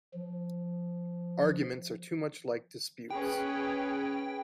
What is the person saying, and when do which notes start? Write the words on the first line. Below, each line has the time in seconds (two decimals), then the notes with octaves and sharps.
Arguments are too much like disputes.
0.14 F3
3.10 C#4 G#4 B4 G5